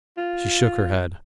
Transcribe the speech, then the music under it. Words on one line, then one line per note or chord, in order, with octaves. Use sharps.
She shook her head.
F4